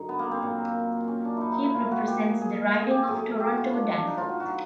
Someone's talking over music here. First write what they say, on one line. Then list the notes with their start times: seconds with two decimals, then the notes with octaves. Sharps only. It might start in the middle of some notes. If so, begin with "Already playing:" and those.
He represents the riding of Toronto-Danforth.
Already playing: F#2 D3 D#4
0.09 B3
0.19 A#3
0.31 C4
0.43 A#2 F#3
1.08 C#4
1.25 D4
1.37 D#4 E4
1.52 D#4
1.64 E4
1.74 A#2 F3 F4
1.92 F#4
2.07 G4
2.19 G#4
2.42 G#4
2.74 G#4
2.90 G4
3.07 A2 F#3 G#4
3.40 G4
3.53 F4 F#4
3.73 D4
3.91 D4
4.08 D#4
4.18 F4
4.29 F#4
4.40 B2 F#3 F#4